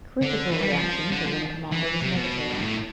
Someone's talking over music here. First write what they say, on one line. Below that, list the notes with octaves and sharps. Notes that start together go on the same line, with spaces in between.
Critical reaction to "Wing Commander" was negative.
D3
E3
G3
F3
D3
F3
E3
C3
B2
G2
A2